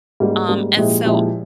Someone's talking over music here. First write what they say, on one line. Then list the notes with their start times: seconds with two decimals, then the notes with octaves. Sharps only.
um, and so
0.20 G#2 G3 A#3
0.48 G#2 G3 A#3
0.77 A#2 F3 G#3 E4 G4
1.05 A#2 F3 G#3 E4 G4